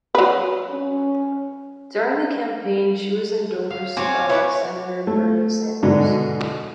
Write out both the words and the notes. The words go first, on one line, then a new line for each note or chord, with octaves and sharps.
During the campaign she was endorsed by Senator Bernie Sanders.
F#3 B4
C#4
F5
C4 F#4 C#5 G#5 D6
E4 B4 C#5
A3
G#2 B2 D3